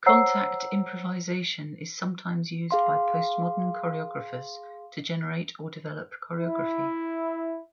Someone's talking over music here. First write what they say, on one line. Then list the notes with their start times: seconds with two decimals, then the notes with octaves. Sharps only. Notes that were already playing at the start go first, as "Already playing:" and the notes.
Contact improvisation is sometimes used by post-modern choreographers to generate or develop choreography.
0.06 C5 C#5 F#5 A#5 E6 C7
2.71 G#4 F5 C6
6.37 E4